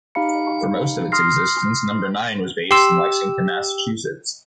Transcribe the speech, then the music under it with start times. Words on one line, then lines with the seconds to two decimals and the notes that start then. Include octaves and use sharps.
For most of its existence, Number Nine was based in Lexington, Massachusetts.
0.15 D#4 G4 F5 B5 C#7
1.12 C6 D#6 F6 A#6 C7
2.71 G4 C6 E6 C7